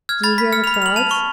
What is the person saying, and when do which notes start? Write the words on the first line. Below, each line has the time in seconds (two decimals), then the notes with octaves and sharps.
"Do you hear the frogs?"
0.09 F6 G#6
0.24 B5 A6
0.38 B5 B6
0.53 F6 C#7
0.64 F7
0.67 B5
0.74 F7
0.82 F6 F#7
0.96 A5 F7
1.11 C#6